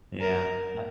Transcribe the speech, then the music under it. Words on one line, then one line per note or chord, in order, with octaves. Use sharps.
Yeah I
A#4